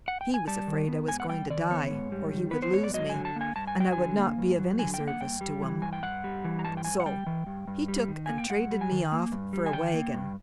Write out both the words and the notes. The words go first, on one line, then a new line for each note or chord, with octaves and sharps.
He was afraid I was going to die, or he would lose me, and I would not be of any service to him, so he took and traded me off for a wagon.
F#5
G5
G#5
G3 A5
D#3
B3
G#2 G#5
F#5
G3 G5
D#3 D5
B3 C#5
G#2
G3
D#3
B3 B4
C5
G#2 C#5
D5
F#3 D#5
D3 G#5
A5
A#3 G#5
G2 A5
G#5
F#3 G5
D3 G#5
A#3
G2
F#3
D3 G#5
G5
A#3
F#5
G2 G5
G3
E3
G2 G#5
G5
G2 F#5
G3
E3
A#5
G2 A5
G5
G2 G#5
F#5
G3 G5
E3
G2
G2
G3
D#3
A#3 G#5
G5
G2 F#5
G3
G#5
D#3
A#3
G2
G3
G#5
D#3 G5
A#3
G2